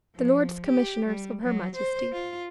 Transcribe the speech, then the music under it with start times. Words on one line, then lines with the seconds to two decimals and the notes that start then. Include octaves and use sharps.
"The Lords Commissioners of her Majesty."
0.15 F3
0.67 G4
1.06 G3
1.43 F#3
1.75 C5
2.12 F4